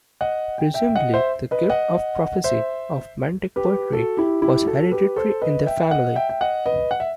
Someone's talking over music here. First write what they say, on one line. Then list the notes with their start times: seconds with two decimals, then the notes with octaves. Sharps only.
Presumably the gift of prophecy, of mantic poetry, was hereditary in their family.
0.21 D#5 F#5
0.58 G5
0.74 E5 G5
0.95 D#5 F#5
1.14 C5 E5
1.51 B4 D#5
1.70 D#5 F#5
2.44 C5 E5
3.56 G4 B4
3.93 F#4 A4
4.17 E4 G4
4.42 E4 G4
4.67 F#4 A4
4.92 G4 B4
5.16 A4 C5
5.42 B4 D#5
5.66 E5 G5
5.91 D#5 F#5
6.15 E5 G5
6.29 G5
6.41 D#5 F#5
6.66 B4 D#5
6.91 F#5
7.00 E5